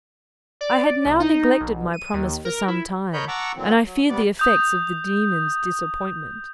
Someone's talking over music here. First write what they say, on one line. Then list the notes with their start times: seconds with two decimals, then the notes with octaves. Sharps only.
I had now neglected my promise for some time, and I feared the effects of the daemon's disappointment.
0.61 D5
1.05 C2
1.20 D#4
1.60 B1
1.94 D#7
2.13 D#2
2.45 A#4
2.68 E4
3.13 A#4 C#5 D#5 B5 G6
3.28 F#5 A5 A#5 C#6 D6 E6
3.55 A#2 D3 E3 F#3 C4
3.84 F#3
4.09 C3 G3 B3 D5
4.39 D#6 G6